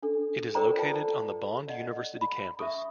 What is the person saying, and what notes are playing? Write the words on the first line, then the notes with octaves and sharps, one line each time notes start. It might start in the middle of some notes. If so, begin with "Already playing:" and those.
It is located on the Bond University campus.
D4 A4
A4 A#4 C5 D5 G5 A#5
F4 B4 D5 G5 A5
D5 D#5 F#5
B5
E5 C#6 D#6